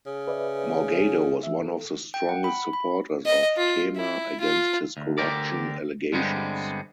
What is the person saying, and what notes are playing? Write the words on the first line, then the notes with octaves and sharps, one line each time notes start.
Morgado was one of the strongest supporters of Temer against his corruption allegations.
C#3
B4 D5 E5
G#4
G#4
E3 E5
A4
G5
F#5
B5
B5
D#5
F4
E4
F4
D2
D2 B2 D3 G4 A#4 D5
G2 D3 G3 G#3 B3 C4